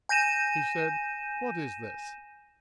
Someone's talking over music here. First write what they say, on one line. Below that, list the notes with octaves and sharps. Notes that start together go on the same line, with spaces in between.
He said: 'What is this?
G#5 G6 A#6 D#7 E7